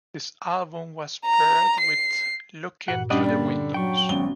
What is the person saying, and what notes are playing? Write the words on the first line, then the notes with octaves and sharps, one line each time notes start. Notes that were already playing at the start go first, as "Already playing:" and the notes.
This album was paired up with "Lookin' Through the Windows".
A#5
C7
G2 A#2 F#4 F#5
G3 C#4 D4 D5 D#5 F#5
D3 A#3 D5 B5 A6
F#3 G5 C#6
G#1 B3 C#4 F#4 G7